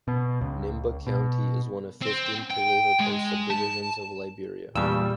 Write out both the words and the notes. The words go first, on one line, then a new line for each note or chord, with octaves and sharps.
Nimba County is one of fifteen political subdivisions of Liberia.
B2
C#2
B2
C4
G5
G#3
A5
E2 G2 A#2 C#3 G3 E6